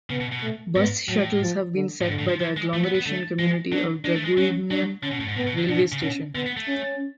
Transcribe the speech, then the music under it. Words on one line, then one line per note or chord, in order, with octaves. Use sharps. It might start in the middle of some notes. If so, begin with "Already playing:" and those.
Bus shuttles have been set by the agglomeration community of Draguignan railway station.
C#3 B3
B2
B2
A3
G#2 B3
A2 F#3
F3
D3
A2
G#2 D3
A2
F3
F3
G#3
F3 A3
B3
B3
D3 A3
F3 G#3
F#3 D4
G#3 D4
A3
G#3
F#3 C#4
F#3 D4
D3 C#4
B2
A2
G#2
A2 B3
B2
D3
B2 D4
C#3
B2 C#4
D3 B3
B3
A3
C#4